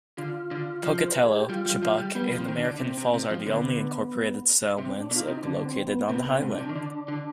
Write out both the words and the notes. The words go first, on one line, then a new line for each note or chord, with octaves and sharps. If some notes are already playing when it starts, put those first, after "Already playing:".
Pocatello, Chubbuck and American Falls are the only incorporated settlements located on the highway.
D3 F4
D3
F3
C5
B4
G#4
G4
G3 F4
G3
F3
G3
G3 B3
F3
C4
D#3
D4
D3
C3 C4
C3
C3 C4
F3
D3 B3
C3 C4
D4
B2
F4
D#4
C3
D3 D4
C4
B3
C3 B3
B2
C4
G#2
D4
C3
D#3
D3
D3